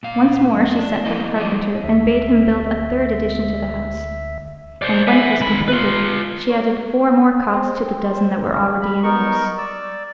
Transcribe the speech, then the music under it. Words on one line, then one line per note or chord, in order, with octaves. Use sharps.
Once more she sent for the carpenter, and bade him build a third addition to the house; and when it was completed she added four more cots to the dozen that were already in use.
A#2 F5
F2
D4
F3 F#3 A#3 E4 D#5
F3 G3 G#3 D5 D#5
D2 E5
C5 D5
E5 G#5
D#3 B5
F4 B4
C#5
C4
C5
C#4
B5
B3 D#4 A#4 C#6
D5 E6